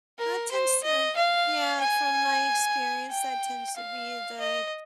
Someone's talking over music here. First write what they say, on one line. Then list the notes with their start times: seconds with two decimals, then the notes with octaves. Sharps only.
That tends to Yeah, from my experience, that tends to be the
0.18 A#4
0.51 C5
0.83 D#5
1.16 F5
1.81 G#5
3.10 G5
3.76 F5
4.40 D#5